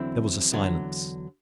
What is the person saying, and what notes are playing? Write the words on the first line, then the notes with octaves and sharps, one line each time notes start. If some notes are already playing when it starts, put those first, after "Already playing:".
There was a silence.
Already playing: E2 D3 F#3 C4 E4
E2 D3 F#3